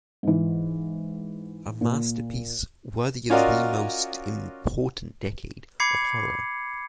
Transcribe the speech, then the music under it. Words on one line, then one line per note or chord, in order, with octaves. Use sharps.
A masterpiece worthy of the most important decade of horror.
G#2 E3
A#2
C#4 F4 F#4 A#4 D5 D#5
B5 D6 G#6 C7 C#7